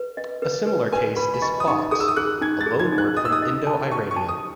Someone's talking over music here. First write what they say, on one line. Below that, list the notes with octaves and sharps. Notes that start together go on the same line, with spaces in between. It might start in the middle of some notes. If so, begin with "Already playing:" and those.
A similar case is "fox", a loanword from Indo-Iranian.
Already playing: B4
D#5
B4
B4
B4 G#5
B4 B5
B5
D#5 C#6
D#6
D#4 C#6
G#4 D#6
E6
D#6
G#4 F#6
D#4 G#6
A6
G#4
G#6
D#4
F#6
D#5 D#6
E6
D#6
D#5
A5
A5 C#6
C#6
A5
D#6